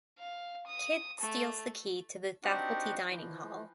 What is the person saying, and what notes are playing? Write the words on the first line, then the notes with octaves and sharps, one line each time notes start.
Kid steals the key to the faculty dining hall.
F5
D#6
A3
C4 D4 D#4 F#4 G4 F#5
E3 F3